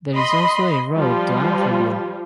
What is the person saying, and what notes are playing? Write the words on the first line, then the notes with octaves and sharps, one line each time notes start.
There is also a road to Amfreville.
D#5 B5 C6
F3 G3 F4